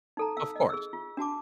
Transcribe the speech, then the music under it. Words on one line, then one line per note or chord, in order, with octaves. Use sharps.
Of course.
D#4 A4 A#5
F5 E6
D#5
G#4 E6
F4
D4 F#4 A5 D6